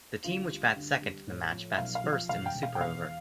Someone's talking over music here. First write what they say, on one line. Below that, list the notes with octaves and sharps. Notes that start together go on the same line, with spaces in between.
The team which bats second in the match bats first in the Super Over.
D2 F4
G3
D2
G3
A2
F3
E5
B1 F5
F5
F3
F5
E1 F5
G5
E1
F5
G5
E2 F5